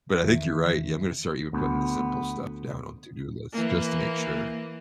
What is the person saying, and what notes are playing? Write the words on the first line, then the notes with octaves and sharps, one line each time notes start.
But I think you're right, yeah, I'm gonna start even putting the simple stuff down on to-do lists just to make sure.
E2 D#3 E5
D2 B3
E3 A#3